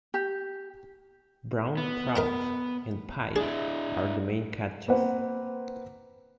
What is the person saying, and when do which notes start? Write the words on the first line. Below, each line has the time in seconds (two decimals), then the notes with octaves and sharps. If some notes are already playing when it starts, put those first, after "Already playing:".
Brown trout and pike are the main catches.
0.14 G4
1.77 B3
2.16 A#4 D#5 G5
3.36 D4 E4 G#4
4.88 A#3 C4 B4 F#5